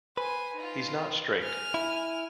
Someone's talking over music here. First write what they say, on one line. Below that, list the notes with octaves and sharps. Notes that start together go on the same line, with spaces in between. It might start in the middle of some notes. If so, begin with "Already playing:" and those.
He's not straight.
B4 C5 G#5
D#4 F4
G#5 F6
E4